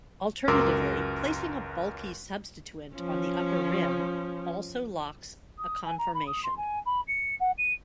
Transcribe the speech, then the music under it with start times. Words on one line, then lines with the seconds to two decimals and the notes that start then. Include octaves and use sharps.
Alternatively placing a bulky substituent on the upper rim also locks a conformation.
0.48 C#2 F#2 A#4 C6 D6 E6
2.96 F3 C#4
5.58 D#6
5.85 G#5
5.98 A#5
6.14 B5
6.27 D#6
6.43 C6
6.57 G#5
6.86 B5
7.07 C#7
7.40 F#5
7.58 D#7